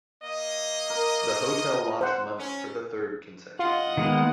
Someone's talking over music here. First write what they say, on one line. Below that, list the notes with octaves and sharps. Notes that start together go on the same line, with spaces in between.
The hotel lost money for the third consecutive year.
A#3 D#5
A#4
C5 F#5
C#4
F4 D#5 F#5
D#3 G#3 A#3 B3